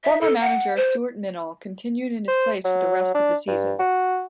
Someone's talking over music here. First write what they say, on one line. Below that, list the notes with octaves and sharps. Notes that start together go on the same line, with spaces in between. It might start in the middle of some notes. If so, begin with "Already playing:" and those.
Former Manager, Stuart Minall, continued in his place for the rest of the season.
E5
A4
F#5
C5
C5
F#3
D4
G2
F#4